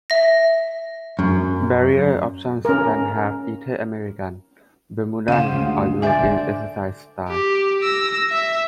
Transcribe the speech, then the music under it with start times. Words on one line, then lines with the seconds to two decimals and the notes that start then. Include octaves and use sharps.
Barrier options can have either American, Bermudan or European exercise style.
0.10 E5 A#6
1.19 F#2
2.65 C#4 A#4
5.28 C#3 C#4 C5 F5 F#5
5.54 D2 G#3 F4
6.02 D3 C5 D5 E5 G#5
7.29 G4
7.83 E6 A#6
8.30 E5